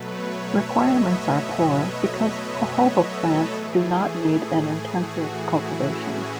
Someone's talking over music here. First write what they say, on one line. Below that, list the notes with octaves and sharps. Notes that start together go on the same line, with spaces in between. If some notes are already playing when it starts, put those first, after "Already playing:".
Requirements are poor because jojoba plants do not need an intensive cultivation.
Already playing: B2 F#3 A3 B4
C#5
E5
D#5
E5
D#5
D#5
C#5
A4
A2 E3 A3 G#4
G#4
G#4
F#4
E4
C#4